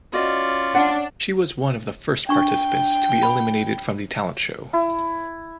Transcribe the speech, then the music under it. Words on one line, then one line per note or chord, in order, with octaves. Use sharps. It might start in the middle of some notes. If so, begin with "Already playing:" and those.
She was one of first participants to be eliminated from the talent show.
C#4 F4 F#4 D5 D#5
D4 F#5
D4 G5 C#6
B5
E4